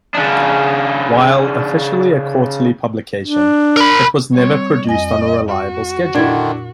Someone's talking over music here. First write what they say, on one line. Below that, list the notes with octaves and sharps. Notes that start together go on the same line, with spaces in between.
While officially a quarterly publication, it was never produced on a reliable schedule.
C#3 D4
D4
A#4 B5
G3 C4 C#5
F2 D#5 G#5 A#6
F#4
A#2 D3 D#3 D4 E4 G#6